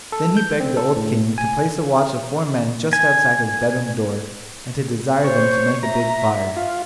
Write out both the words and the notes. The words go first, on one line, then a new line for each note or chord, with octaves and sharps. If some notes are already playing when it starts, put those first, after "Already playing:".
Then he begged the old King to place a watch of four men just outside his bedroom door, and to desire them to make a big fire.
A4
G6
C4
A4
A2
G#5
G#5
C5 C#5
E5 A#5
F4